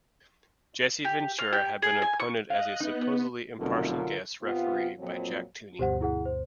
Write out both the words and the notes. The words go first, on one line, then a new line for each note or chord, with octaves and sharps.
Jesse Ventura had been appointed as a supposedly impartial guest referee by Jack Tunney.
G4
F5
G4
G#4
G#5
C#6
D#5 F5 F#6
B3 D#4
F1 F#2 B2 D3 F4 A4 A#4
C3 B3 F4
F2 A#2 F3 F#3 C4
D2 G2 B2 G4 C5 F#5
E4 G#4 F#5
C5